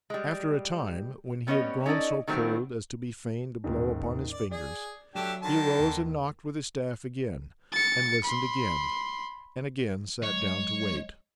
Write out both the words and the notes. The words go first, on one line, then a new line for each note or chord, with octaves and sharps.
After a time, when he had grown so cold as to be fain to blow upon his fingers, he arose and knocked with his staff again, and listened again, and again sat down to wait.
G3 G#3
G3 B3 C#4 C#5 D#5
C#4 D#4 A4 D5 D#5
D#3 F#3 G3 A3 B3 C4
A1 D#2 G#2
D5
G#4 D5
F#3 A3 D4 G4 E7
D3 D#3 A5
D#2
A6 C#7
B5 C6
F#3 G#3 C#5